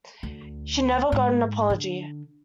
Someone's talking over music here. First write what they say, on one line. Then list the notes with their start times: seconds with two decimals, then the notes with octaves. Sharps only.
She never got an apology.
0.23 D2
1.12 G#2
1.70 D3